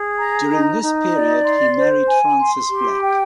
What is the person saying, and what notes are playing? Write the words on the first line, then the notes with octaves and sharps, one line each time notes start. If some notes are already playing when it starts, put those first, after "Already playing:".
During this period, he married Francis Black.
Already playing: G#4
A#5
D#4
D#4
D5
C6
C5
G#5
C6
G4
G5